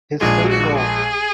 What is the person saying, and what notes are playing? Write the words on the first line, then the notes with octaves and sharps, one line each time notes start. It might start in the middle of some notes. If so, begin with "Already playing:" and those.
His film Goal!
A#1 A#2 G#3 G#4
F#4
G#4